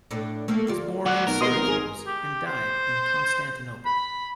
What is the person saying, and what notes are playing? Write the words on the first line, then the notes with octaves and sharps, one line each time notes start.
He was born in Syracuse and died in Constantinople.
A2 D4 A4
A3 A#3 A4
D2 F4 D5
F#4 D5 F#5
B1 A#4
B2 D#5 C6 D#6
G#1
G#4
G4
C5
B5